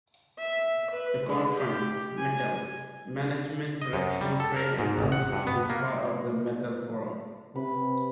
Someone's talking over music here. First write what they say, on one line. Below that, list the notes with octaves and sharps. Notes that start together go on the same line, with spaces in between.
The conference "Metal: Management, production, trade and consumption" is part of the Metal-Forum.
E5
B4
G#3
G4
G#5
D#5
F#2
G3
A4
A#4
G#2
A1
F#5
G2
B3
A#3
C3 B4